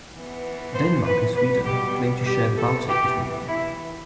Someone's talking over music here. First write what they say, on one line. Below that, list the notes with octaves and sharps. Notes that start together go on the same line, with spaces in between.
Denmark and Sweden claimed to share the Baltic between them.
E3 B3
C5
B4
B2 G3 B3 B4
G4
G4
E3 B3 A4
G4
E4